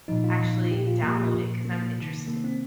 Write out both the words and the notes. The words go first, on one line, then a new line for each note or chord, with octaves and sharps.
actually download it 'cause I'm interested
A#2 F3 D#4
F4
A#2 F3
A#2 F3 G4
F4
A#2 F3 A#3
A#2 F3
A#2 F3 A#3
C3 D#3
C3 D#3 A#3
C4